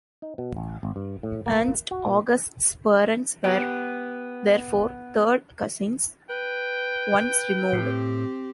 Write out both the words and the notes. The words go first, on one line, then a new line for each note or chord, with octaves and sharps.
Ernst August's parents were, therefore, third cousins, once removed.
D#4
B2
A1
G#1
G2
A2
A#3
F#4
A#2
B3 G4
B4 G5
A2 C4 G4